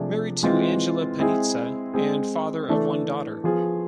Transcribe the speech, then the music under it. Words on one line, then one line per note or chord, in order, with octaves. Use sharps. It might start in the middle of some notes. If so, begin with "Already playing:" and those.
Married to Angela Panizza and father of one daughter.
Already playing: C3 F3 A3 D4 G#4
E3 G#3 C4 F4
G#3 C4 E4 G#4
G#3 C4 G#4
E3 A3 D4 A4
F3 B3 F4 G#4 C5